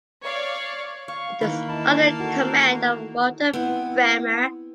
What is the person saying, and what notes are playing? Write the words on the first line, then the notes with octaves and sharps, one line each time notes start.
It was under the command of Walter Brehmer.
C#5 D5 F5
F5 C#6
D#3 E3 A#3 B4 B5
D#4 E4 A5
F#4 A4
B3 C4 E4